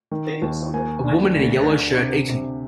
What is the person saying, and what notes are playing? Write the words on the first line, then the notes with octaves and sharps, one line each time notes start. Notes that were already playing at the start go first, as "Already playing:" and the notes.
A woman in a yellow shirt eating.
D#3
D#2
A#3 G#5
D4
D2
D3
C3
C3